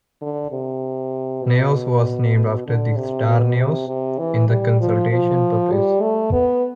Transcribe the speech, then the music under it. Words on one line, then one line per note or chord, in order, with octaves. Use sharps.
"Naos" was named after the star Naos, in the constellation Puppis.
D3
C3
B2
B2
D3
C3
B2
C3
C3
E3
G3
F3
F3
G3
A3
B3